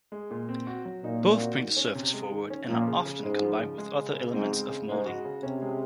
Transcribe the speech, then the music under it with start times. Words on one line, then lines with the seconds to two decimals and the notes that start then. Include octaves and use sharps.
Both bring the surface forward, and are often combined with other elements of moulding.
0.12 G#3
0.31 A#2
0.49 C4
0.67 F#4
0.85 F#3
1.03 A#2 D#4
1.22 C4
1.40 F#4
1.59 D#3
1.77 C#4
1.95 C3
2.14 G#3
2.31 D#3
2.50 C#4
2.68 A#2 F3
2.87 C#3
3.05 C#3
3.23 G#2 G#3
3.42 F3
3.60 C#3
3.78 G#3
3.96 C#3
4.15 C#3
4.33 G#2 C4
4.52 G#3
4.69 C#3
4.88 G#2 G#3
5.06 F#4
5.25 C#3
5.43 C3 C#4
5.62 G#3